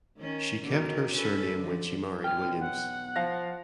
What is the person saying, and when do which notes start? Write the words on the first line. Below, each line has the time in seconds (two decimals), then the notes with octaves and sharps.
She kept her surname when she married Williams.
0.18 D#3 C#4
0.64 B2 D3 D#3
1.13 C#4 A4 B4
1.55 D3 F3
2.24 B1 G5 F6
2.60 F#5
3.16 F3 F5 A#6